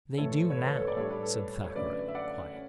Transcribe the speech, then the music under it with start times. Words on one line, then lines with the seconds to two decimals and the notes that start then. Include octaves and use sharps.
"They do now," said Thackeray, quietly.
0.18 A2 E3 A3 A4 C#5
0.50 C#5
0.58 B4
0.67 A4 C#5
0.77 A4 C#5
0.86 B4 D5
0.96 A2 G3 D4 A4 C#5
1.10 B4
1.23 A4
1.64 C#5
1.75 F#2 D3 A3 B4 D5
2.08 E5
2.15 D5 F#5
2.53 C#4